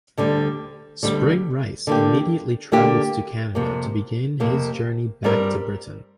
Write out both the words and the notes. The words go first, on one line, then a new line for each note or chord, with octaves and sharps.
Spring Rice immediately travelled to Canada to begin his journey back to Britain.
D2 D3 G3
D2 D3 G3
D3 A#3 D4 G4
D3 A#3 D4 G4
F2 C3 A#3
F2 C3 A#3
G2 G3 C4 A#4